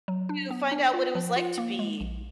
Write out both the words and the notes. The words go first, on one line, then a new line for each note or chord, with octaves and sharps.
to find out what it was like to be
F#3
D4
B3
D4
F4
F3
F4
A#3
G#3
A#1